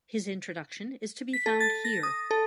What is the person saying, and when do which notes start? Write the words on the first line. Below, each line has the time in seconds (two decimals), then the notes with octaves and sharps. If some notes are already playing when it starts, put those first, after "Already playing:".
His introduction is to be found here.
1.33 B6
1.46 A4
1.60 A6
1.85 A#6
2.03 D#6
2.31 A4